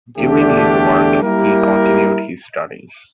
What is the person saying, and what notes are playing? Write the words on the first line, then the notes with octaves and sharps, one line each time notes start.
During his work he continued his studies.
E2 D3 A3 D4 G4
G3 A#3 E4 G4 A#4